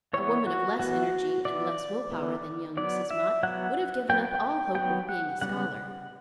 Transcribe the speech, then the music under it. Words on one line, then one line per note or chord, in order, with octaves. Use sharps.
A woman of less energy and less will-power than young Mrs. Mott would have given up all hope of being a scholar.
E3 B3 C#5
F#4
E3 B3 F#4
E3 B3 D5
E3 B3
F#3 B3 D5
E5
F#3 B3 F#5
F#3 B3 G5
G5
F#3 B3 G5
F#5
C#3 G3 B3 F#5